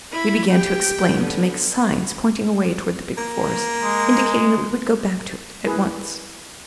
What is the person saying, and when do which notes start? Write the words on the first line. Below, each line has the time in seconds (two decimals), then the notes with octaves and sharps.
We began to explain, to make signs pointing away toward the big forest--indicating that we would go back to it--at once.
0.12 E4 B5
0.50 G4 G5
1.17 D3 B3
3.17 A#3
3.82 G#3
5.66 E4 G#4 A#4 B4